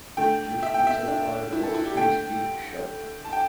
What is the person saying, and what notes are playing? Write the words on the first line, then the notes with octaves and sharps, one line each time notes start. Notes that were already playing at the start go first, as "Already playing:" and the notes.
This is a Fire door, please keep shut.
D3 A3 G5
E5
G5
E5
D4
E4
A4
E4
G4
D3 A3 G5
A5
G5